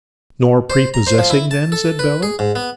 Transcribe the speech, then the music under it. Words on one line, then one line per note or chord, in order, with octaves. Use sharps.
'Nor prepossessing then?' said Bella.
C5
A#5
C5
F3
E4
A5
A4
B4
G#4
G#2
B3